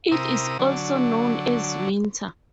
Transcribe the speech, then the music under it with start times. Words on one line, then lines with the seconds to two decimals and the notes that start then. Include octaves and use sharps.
It is also known as Winter.
0.12 C3 E4 A#4 D#6
0.59 D3 F#3